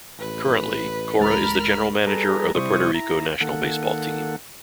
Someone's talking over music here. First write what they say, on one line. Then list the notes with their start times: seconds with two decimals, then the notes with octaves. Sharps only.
Currently, Cora is the General Manager of the Puerto Rico national baseball team.
0.20 A1 B4
1.20 C#2 G#3 A#4 B5 F6 A6
2.07 G3 G#4 A4 B4 A#5
2.55 C3 G3 E4 C5 C#6 D#6
2.94 E4 A#5
3.41 D#3 A#3 A4 F#5